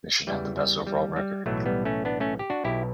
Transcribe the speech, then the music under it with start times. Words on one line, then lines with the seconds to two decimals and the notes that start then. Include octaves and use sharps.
Mission had the best overall record.
0.27 E2 C#3 E3 G3
0.57 G3
0.87 G3
1.16 G3
1.46 B1 A2 E3 F#3 A3
1.66 G3 B3
1.85 A3 C#4
2.05 B3 D4
2.20 A3 C#4
2.39 G4
2.50 D4 F#4
2.64 B1 B2 E4 G4